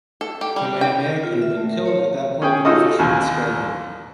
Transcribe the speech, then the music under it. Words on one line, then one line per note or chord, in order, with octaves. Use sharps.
Kamehameha could have been killed at that point but the fisherman spared him.
A4
G4
G3
G5
F4
E5
A3
A#4
C#5
F5
C#4 G#4 G5
D#4 F4 F#4 A4 D#5
A#1 D#2 E3 G#5